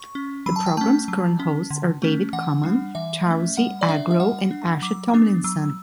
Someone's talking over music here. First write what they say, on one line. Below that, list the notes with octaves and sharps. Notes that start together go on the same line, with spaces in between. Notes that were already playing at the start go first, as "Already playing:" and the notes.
The program's current hosts are David Common, Charlsie Agro and Asha Tomlinson.
Already playing: C#6
C#4
F#3 B5
A5
G5
A3 C#4 A5
F#3
C#4
D3
A3 C#4
E3 F#5
G3 D4
E3 E5
A3 C#4
G3 F#5
D5
D4 E5
E5
G3 F#5
D4
F#3 D6
B3 D4
F#3 E6